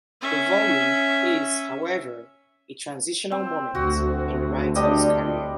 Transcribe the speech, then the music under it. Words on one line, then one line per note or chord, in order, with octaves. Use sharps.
The volume is, however, a transitional moment in the writer's career.
C#4 E5
C4
D2 F#4
G3 D4 D#5